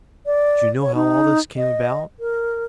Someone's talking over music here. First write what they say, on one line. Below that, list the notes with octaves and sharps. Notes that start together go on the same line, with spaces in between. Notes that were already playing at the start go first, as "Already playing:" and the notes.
Do you know how all this came about?
D5
C#5
D#4
D#5
A#4